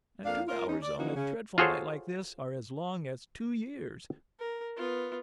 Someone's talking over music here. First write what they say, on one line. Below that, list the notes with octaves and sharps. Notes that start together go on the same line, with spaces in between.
And two hours on a dreadful night like this are as long as two years.
F2 A#3 D4 F5
F4 A#4
C#4 D#4
D5
E3 F3 A#3 C#4 D#4 F#4
C#3 C#4
F4 F#4 G#4 A4 C5 C#5
A#4
B3 F4